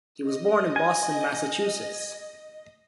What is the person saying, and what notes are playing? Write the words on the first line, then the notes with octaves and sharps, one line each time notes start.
He was born in Boston, Massachusetts.
D#5
G#5